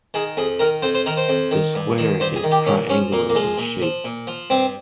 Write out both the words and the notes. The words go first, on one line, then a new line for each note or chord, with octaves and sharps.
The square is triangular in shape.
D#3 G#4
F2 G#4
D#3 A#4
F2 C5
C5
D#3 A#4
C5
F2
D#3
G2
D#3
G2 C5
G#4
D#3
G4
A#2 C#4
F3 C#4
A#2 A#3
A#3
F3 G#3
A#2
F3
A#2
F3
G2 C4